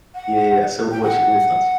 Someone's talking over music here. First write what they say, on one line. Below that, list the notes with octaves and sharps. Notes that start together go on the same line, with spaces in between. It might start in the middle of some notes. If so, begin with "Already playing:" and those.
Yeah, yeah, yeah, so, what's your what are your thoughts?
F#5
G5
F#5